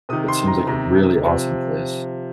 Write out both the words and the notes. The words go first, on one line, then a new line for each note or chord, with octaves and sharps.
It seems like a really awesome place.
C3 D#3 D#6
C6
A#5
C3 D#3 A#5
C3 F3